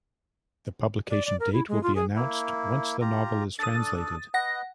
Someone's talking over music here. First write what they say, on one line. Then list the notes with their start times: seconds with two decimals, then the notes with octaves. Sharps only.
The publication date will be announced once the novel is translated.
1.10 D5
1.25 D5
1.40 A#4
1.53 E4
1.68 G#3
1.83 F4
1.95 G#4
2.16 A#3 E4
3.01 F4 G4 A#5
3.59 D4 A4 D5 D#6 A6
4.34 B4 D#5 F#5 A#6